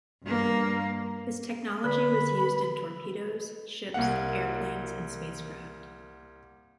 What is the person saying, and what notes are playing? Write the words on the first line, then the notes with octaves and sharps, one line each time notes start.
His technology was used in torpedoes, ships, airplanes, and spacecraft.
G2 A#3
D3 B4 B5
C2 A#3 F5 F#5